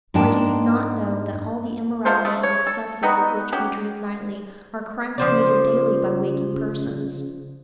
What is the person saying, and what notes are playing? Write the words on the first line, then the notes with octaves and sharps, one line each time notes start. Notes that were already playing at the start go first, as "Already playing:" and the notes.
Or do you not know that all the immoralities and excesses of which we dream nightly are crimes committed daily by waking persons?
G#2 D4 G5 A5
B2 A3 F4 C5
C#3 A3
C#5
A4
G3 B3 D#4 F#4
C#4 F#4 G4
C#3 F3 C5 D5